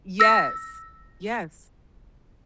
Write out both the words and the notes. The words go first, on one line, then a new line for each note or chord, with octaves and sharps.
Yes. Yes.
E6 A#6